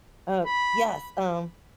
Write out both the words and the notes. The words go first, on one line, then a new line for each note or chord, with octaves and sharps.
Oh, yes, um
B5